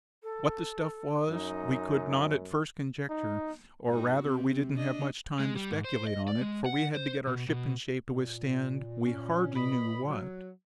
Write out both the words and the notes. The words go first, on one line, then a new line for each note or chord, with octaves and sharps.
What the stuff was we could not at first conjecture, or rather, we didn't have much time to speculate on it, for we had to get our ship in shape to withstand we hardly knew what.
A4
F#2 D#4
D#4
G#2 D#4 F#4
C3 C4
D4 D#5
G#3
G3
G#2
C5
D#5
D5
G#3
F#5
C5
B2
B2
A#2
C#4
B4 D#5 B5
F#3